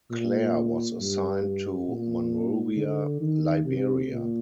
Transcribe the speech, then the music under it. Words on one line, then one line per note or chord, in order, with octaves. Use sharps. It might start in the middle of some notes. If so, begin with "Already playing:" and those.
Clair was assigned to Monrovia, Liberia.
A#2
G2
A#2
D3
D#3
C3
A#2